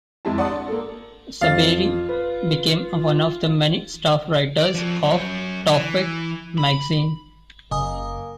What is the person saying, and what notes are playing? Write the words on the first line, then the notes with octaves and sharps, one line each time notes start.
Saberi became one of the many staff writers of "Towfigh" magazine.
F2 G#3 E4 A5
D5 F#5 A5 C6 D#6
D3
A#3 A4
F2 F4 F5 A6
B4
D5
F3 C4
F#2 C#5
E3
B5
F#1 C#3 A#3 D#5 G#5 D#6